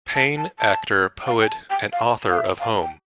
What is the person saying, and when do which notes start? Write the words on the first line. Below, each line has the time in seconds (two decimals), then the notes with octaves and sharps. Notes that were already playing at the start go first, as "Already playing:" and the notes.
Payne, actor, poet, and author of Home!
0.14 A5
0.37 A5
0.59 A5
1.27 F5
1.41 G5
1.48 A5
1.70 G5
1.92 F5
2.30 F5
2.37 E5
2.60 F5
2.82 G5